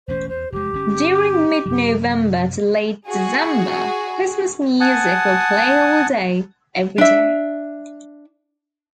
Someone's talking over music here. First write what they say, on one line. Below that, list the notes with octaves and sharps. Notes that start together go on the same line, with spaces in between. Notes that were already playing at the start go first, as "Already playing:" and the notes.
During mid-November to Late-December, Christmas music will play all day every day.
E1 A1 C#4 C5
E2 C5
F1 E2 G#3 G4
G1 C#4
F#2 C3 F#3
F#4 G#4
F#5 G#5 A5 D#6
D4 E5